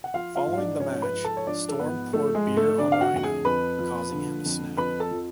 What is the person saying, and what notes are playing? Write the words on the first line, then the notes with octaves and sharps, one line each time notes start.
Following the match, Storm poured beer on Rhino, causing him to snap.
F#5
F3 F4 F5
F4 F5
G#2
F5
D4 D5
F3 C#4 C#5
B4 B5
G#2
A4 A5
C#5
F3 D4 D5
A4
G#2 B3 B4
F3 A3 A4
G#3 G#4
G#2
A3 A4
D3 D4 D5
F5
F#4 F#5
F2 F#5
G#4 G#5
F2 B4 B5
F3
D3
F2
F2 B4 B5
A4 A5
F3